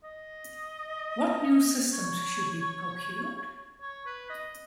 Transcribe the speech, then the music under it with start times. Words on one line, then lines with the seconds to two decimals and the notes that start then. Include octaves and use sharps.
What new systems should be procured?
0.04 D#5
1.93 C#5
3.82 C#5
4.06 B4
4.30 D#5